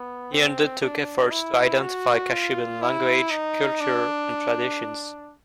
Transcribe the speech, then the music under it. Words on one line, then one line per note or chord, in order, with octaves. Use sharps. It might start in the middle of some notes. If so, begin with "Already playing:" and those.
He undertook efforts to identify Kashubian language, culture and traditions.
Already playing: B3
C4
D4
E4
F#4
F4
E4
D#4
D4